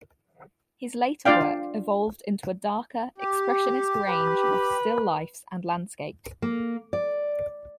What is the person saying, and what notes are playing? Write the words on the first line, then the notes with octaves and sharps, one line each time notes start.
His later work evolved into a darker, Expressionist range of still lifes and landscapes.
D4 F4 D5 F5 G5
G4
B4
A#3
D5